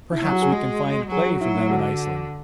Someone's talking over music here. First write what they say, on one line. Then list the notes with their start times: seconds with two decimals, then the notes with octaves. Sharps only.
"Perhaps we can find play for them in Iceland."
0.12 E4
0.22 F#3
0.32 F#4
0.42 G#4
0.52 G#3 F#4
1.11 F#3 G#4
1.26 F#4
1.40 F#3 E4
1.55 E4
1.69 D3 F#4